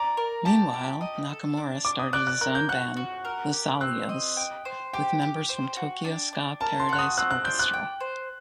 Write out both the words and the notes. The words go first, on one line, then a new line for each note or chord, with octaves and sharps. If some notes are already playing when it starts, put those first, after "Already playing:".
Meanwhile, Nakamura started his own band "Losalios" with members from Tokyo Ska Paradise Orchestra.
Already playing: D5 A#5
A#4
G4 A5
G4
D#5
A4
D4
D4 D6
D#6
D5 F#6
F#6
A#4 F#6
G6
F#4 F#6
F#4
A#4
G4
C4 F#6
D#5
G5
C5
G4 G5
G4
C5
F#4
D4
D4
A#4 A5
C6
F#4 F#6
D#6
C4 F#6
F#6
D5 G6
F#6
G5
C5